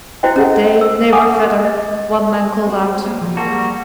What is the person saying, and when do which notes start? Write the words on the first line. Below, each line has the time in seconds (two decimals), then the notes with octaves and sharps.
"Good day, neighbor Vedder," one man called out.
0.23 E4 F#4 C5 D#5 G5
0.36 C#4 D#5 F#5
0.81 E6
1.13 F#5 G#5 A5 D6 D#6
1.65 D#5
2.66 C4 F#4
3.05 F#3 G#3 A#3
3.21 F3 F#3
3.37 G3 A#3 F#4 G#4 A#4 A5